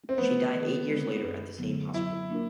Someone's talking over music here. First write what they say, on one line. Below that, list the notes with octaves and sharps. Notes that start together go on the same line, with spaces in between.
She died eight years later at the same hospital.
C4
F3 A3 B3
D#3
G#3 C4
F#2
D3 F#3 B3
F#3 E4
A#3 D4 F4 A#4